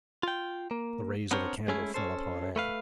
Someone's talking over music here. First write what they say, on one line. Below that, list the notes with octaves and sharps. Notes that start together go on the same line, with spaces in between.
The rays of the candle fell upon Anne.
F4 G5
A#3
B3 C4 D4 A#4 C5 C#5
G#3 A3 C#4 E4 G#4
C#4 A4 C5
A3 B4 F5